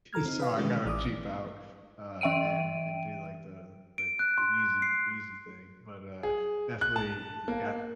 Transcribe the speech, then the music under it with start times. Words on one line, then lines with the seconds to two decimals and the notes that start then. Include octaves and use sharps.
So I gotta cheap out, uh, and and do, like, the the easy easy thing. But, uh, definitely got
0.13 D#3 A4 A#5 F6 G#6
0.25 C4 D#4
0.40 B4 F5
0.57 B2 D3 D#3 G#3 C#4 G4
0.85 A1 E3 D5 D6 D#6
2.21 E3 E5 G5 D7 D#7
3.98 D7
4.19 F#6
4.38 C6
4.82 C7
6.23 G#4
6.81 F#6
6.96 A5
7.48 A#3